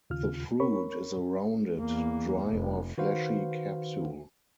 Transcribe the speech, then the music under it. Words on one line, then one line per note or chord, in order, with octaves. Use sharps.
The fruit is a rounded, dry or fleshy capsule.
D#2 C#3 F4 F6
A#4 C#5 B5 C#6
E2 A#3
F1
D#3 F#4 B4 C5 F5